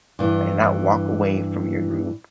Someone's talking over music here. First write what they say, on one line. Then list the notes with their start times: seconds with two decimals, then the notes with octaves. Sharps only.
I did not walk away from your group.
0.19 G2 E3